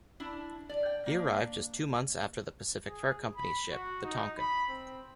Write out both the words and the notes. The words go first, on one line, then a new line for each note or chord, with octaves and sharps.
He arrived just two months after the Pacific Fur Company's ship, the "Tonquin".
D4 E4
D5
G5
A#3 D4
G#4
B5
F#4
D#4
B5
C4